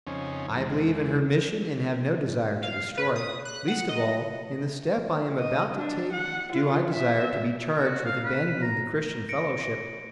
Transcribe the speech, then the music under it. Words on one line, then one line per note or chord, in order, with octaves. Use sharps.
I believe in her mission and have no desire to destroy. Least of all, in the step I am about to take do I desire to be charged with abandoning the Christian fellowship.
F2 C#3 C4 C#4 D#4 G#5
E2 E3 G#3
F5
B4
D#6
F#6
F#5
D#5
D#5
D4
F#5
F4
E5
F#4
F5
B4
A#5
A#6 C#7 D7